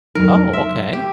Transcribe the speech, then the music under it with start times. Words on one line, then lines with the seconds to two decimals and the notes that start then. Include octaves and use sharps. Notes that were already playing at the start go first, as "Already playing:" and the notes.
Oh, okay.
0.15 F2 F#3 D#4 A#4
0.53 E5 C6
0.93 G4